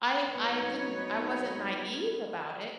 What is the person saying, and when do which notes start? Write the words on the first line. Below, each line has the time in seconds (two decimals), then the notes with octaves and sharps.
I I didn't I wasn't naive about it,
0.28 F#3 B3 D#4 C#5